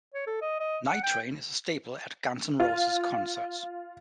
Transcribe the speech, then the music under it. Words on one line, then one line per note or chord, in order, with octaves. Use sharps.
"Nightrain" is a staple at Guns N' Roses concerts.
C#5
A4
D#5
D#5
F#5
G5
F4